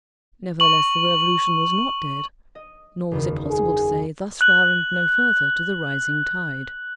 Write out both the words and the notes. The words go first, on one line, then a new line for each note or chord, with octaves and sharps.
Nevertheless, the Revolution was not dead, nor was it possible to say thus far and no further to the rising tide.
C#6 F#7
D#5
F#1 E2 D#3
G#4
F#6 F#7